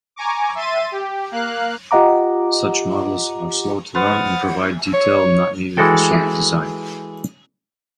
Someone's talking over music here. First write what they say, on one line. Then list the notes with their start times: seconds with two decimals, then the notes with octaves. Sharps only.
Such models are slow to run and provide detail not needed for circuit design.
0.16 G#5 A#5 C#6 D6
0.55 E5 C6 A6 D#7
0.92 G4
1.31 A#3 F5 F#6
1.91 F4 G4 D#5 F#5 A#5 D6
3.95 B4 C5 F#5 D#6 F6 A6
4.93 C#5
5.77 E3 G#3 F#4 A4 G5